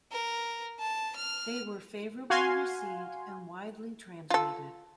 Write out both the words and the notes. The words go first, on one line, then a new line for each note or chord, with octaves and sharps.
They were favourably received, and widely translated.
A#4
A5
F6
F#4 F5 G#5 C6
F4 A4